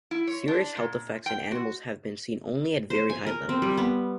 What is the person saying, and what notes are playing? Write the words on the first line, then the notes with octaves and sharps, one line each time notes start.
Serious health effects in animals have been seen only at very high levels.
E4
C#5
D4
A#2
G5
F#4
C5
G#5
A#4
C4
G3
B3